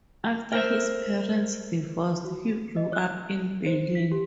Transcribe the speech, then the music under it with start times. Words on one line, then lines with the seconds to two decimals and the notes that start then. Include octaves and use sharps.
After his parents divorced, he grew up in Berlin.
0.53 A#4 C5 E5
2.25 F#4
2.77 D#5
2.93 F#6
3.66 C5
3.95 B6
4.12 G4